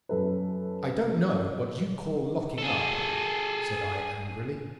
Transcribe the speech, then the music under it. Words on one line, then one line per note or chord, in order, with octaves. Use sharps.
"I don't know what you call locking up," said I, angrily.
F#2 A4 B4
G#4 A4